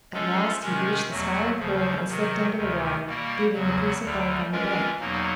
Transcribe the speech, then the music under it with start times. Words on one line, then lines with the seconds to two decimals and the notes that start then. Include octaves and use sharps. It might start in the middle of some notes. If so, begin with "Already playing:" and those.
At last he reached the Smiling Pool and slipped into the water, leaving the piece of bark on the bank.
0.13 F3 G#3 C#4 F4 A4
0.62 C3 D#3 G#3 C#4
1.11 E2 B2 F#3 A3
1.59 D#2 C#3 F3
2.08 C3 D#3 F#3
2.56 D2 C3 D#3
3.06 B2 G3 A#3
3.54 E2 C#3 F#3
4.02 D2 D3 G3
4.52 E3 G#3 C#4 F4 A#4
5.00 E2 B2 F#3 A#3 D#4